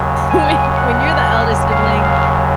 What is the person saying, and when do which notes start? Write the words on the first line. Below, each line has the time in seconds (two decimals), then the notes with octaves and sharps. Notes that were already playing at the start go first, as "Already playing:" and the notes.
When when you're the eldest sibling,
Already playing: D#2 C#3 F#3
0.30 G#5
0.77 F#5
1.71 F5
2.03 F5